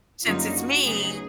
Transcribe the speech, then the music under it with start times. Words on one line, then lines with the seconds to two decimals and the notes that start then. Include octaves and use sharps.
since it's me,
0.25 F#2 D3 G3 A#3 D#4 F4
0.55 F#4
0.84 D2 C#3 F#3 B3 D#4 G#4